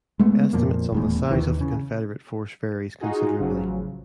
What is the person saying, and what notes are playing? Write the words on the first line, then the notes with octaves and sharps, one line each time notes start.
Estimates on the size of the Confederate force varies considerably.
G#3 A3 B3
F2 A#2 F3 A#3
D#1 E2 A2
D#2 D#3 E3
C#3
D#4 F4 F#4 G#4
A1 C#3 F3 F#3